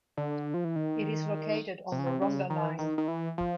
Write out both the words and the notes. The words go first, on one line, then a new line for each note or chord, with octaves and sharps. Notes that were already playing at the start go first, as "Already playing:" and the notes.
It is located on the Rhondda Line.
D3
F3
E3
D#3
C3
C#3
C3
C#3
D#3
D#3
D#3
E3
F3